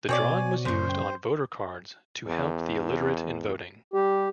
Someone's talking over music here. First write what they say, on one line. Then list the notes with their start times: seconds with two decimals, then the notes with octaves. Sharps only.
The drawing was used on voter cards to help the illiterate in voting.
0.09 B2 C4 F#4 C#5 D5 G#5
0.65 F#2 C#3 C5
0.89 G5
2.26 E2
3.94 G3 G4